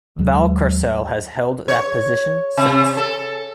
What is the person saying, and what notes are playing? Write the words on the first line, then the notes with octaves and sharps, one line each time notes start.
Valcarcel has held that position since.
D#2 F#3 G#3
C#5
C3
A4